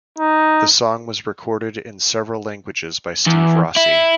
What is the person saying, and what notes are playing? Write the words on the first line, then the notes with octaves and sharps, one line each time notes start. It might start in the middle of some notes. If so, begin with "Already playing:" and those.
The song was recorded in several languages by Steve Rossi.
D#4
E2
E4